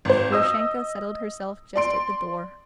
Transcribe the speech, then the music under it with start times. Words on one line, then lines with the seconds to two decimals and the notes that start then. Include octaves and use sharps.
Grushenka settled herself just at the door.
0.05 G#1 C5
0.32 D#5 D#6 E6
1.76 D5 C6 D7